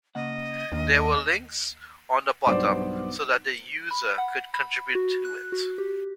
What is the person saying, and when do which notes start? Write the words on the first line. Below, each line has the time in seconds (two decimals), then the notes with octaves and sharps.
There were links on the bottom so that the user could contribute to it.
0.15 C#3 A#3 D#5 F#5
0.72 D#2 D#3 A#3 D4
2.46 B1 G2 B3 C5 D5 D6
3.91 B5
4.18 F#5
4.54 B5
4.95 F#4
5.25 F#6
5.52 F#4
5.78 G4